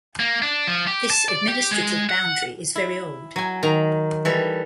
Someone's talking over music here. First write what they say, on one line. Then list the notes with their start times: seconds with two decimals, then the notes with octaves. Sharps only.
This administrative boundary is very old.
0.20 A#3
0.42 D4
0.67 F3
0.87 G4
1.10 A5
1.29 D5
1.48 G4
1.71 G#3
2.09 F#5
2.75 E4
3.36 F#3 G#5
3.63 D#3 A#5
4.25 E3 G3 A4